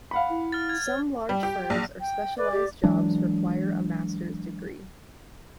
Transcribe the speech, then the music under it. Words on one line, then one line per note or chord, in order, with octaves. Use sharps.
Some large firms or specialized jobs require a master's degree.
F5 F#5 B5
E4
F6 A6
G#6
C#5
G3
G4
A#1
G5
B4 D5
G4
E3 F#3 G#3 D4